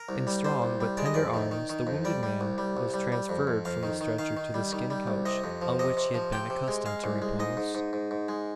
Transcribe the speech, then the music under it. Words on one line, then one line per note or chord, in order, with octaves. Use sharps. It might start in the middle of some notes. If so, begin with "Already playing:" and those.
In strong but tender arms the wounded man was transferred from the stretcher to the skin couch, on which he had been accustomed to repose.
Already playing: A#4
C2
G3
G3 C5
C2
G3
G#3 D5
D#5
F2 D5
D#3
D#3
D#3
F2
G3 D5
G3
C2
G3
C2
G3
G3
F2
F2
F2 F5
D#3
D#3
D#3 F5
D#3
G3
D#3
G3
C2
C3 D#5
F2
F3
C3 D#5
C3
F3
C3 G5
C3
G#3
G#3 F5
C2
G#3
G#2 D#5
G#2
G#2
G#2
G#2
G#3